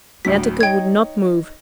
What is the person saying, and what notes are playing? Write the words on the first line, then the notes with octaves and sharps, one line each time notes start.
Netteke would not move.
D2 A2 F#3 B6
D#4 C#5 G5 G#6